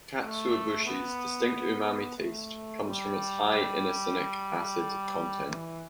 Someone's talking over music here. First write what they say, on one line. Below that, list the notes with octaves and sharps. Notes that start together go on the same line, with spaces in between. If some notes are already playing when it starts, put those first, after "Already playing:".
Katsuobushi's distinct umami taste comes from its high inosinic acid content.
A3
B3
A3
G3
E3